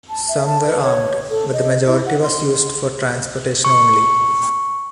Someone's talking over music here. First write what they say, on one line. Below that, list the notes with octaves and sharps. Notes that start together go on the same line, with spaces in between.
Some were armed, but the majority was used for transportation only.
A5
E5
A5
B4
C#5
A4
D#5
E4
F#5
C6
C#6